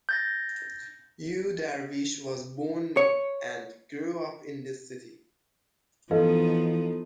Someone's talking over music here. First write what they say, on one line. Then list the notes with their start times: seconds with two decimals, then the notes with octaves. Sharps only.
Yu Darvish was born and grew up in this city.
0.09 G6 A6 A#6
2.97 C#5
6.11 E3 F3 B3 D#4 A4 B4 D#5 F5